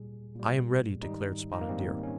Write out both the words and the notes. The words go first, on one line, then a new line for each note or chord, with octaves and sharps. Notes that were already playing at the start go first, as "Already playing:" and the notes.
"I am ready," declared Spotted Deer.
Already playing: A#2 G3 G#4
A#2 G3
G#2 D#3 G3 D#4
D#4
A#3
G#2 D#3 G3 C4
C#4